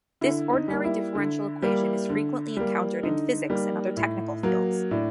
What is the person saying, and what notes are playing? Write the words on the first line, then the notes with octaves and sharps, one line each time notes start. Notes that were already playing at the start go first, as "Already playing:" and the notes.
This ordinary differential equation is frequently encountered in physics and other technical fields.
D3 E4
D#4
G3 A#3
E4
D3
G3 A#3
D3
G3 A#3
D3 D#4
G3 A#3
A2
F#3 A#3
A2 D4